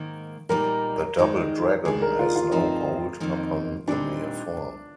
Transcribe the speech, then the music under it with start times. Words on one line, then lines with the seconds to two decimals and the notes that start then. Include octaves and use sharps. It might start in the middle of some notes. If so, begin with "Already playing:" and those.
The Double Dragon has no hold upon the mere form.
Already playing: G#2 D#3 A#3
0.49 A#2 G3 A#3 D#4 A#4
1.17 G2 D#3 G#3 D#4
1.85 D#3 G#3 D4 G#4
2.02 A#4
2.19 F4
2.36 F4
2.52 G2 F3 C4 D#4
3.20 F2 D#3 A#3 D#4
3.88 A#2 G3 C4 D4 D#4